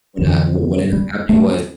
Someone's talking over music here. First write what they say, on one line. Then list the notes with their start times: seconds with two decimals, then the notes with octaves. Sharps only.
when, uh w what ended up happening was
0.19 F2 D3 E3
0.93 G3
1.29 A3